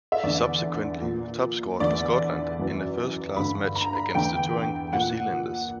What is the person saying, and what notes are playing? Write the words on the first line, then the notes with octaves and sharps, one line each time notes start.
He subsequently top-scored for Scotland in a first-class match against the touring New Zealanders.
E5
E2 D3 D5
A#2
E2 D3 D5
F#2 E3
G2 D3 B5
A#5
B5
E2 D3 G5
A#2 F#5